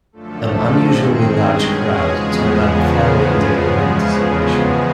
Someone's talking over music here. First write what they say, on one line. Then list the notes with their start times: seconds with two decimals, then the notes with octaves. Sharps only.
An unusually large crowd turned out the following day in anticipation.
0.12 F#2 D3 F3 A3 A4
0.76 G2 D#3 G#3 C4 G#4
1.40 B2 G#3 C#4 G#4
2.03 E2 C#3 F3 G#3 B3